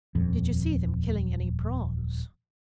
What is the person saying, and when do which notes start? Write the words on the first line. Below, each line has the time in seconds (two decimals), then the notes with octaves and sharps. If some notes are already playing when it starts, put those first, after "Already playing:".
"Did you see them killing any prawns?"
0.15 D#1 F2